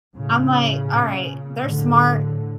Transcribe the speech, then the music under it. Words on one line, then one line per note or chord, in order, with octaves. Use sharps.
I'm like, "All right, they're smart
A2 C#3
A#2
A2 D3